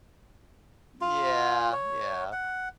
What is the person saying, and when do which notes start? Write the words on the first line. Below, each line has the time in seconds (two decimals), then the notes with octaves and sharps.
Yeah. Yeah.
1.01 F4
1.72 C#5
2.32 F#5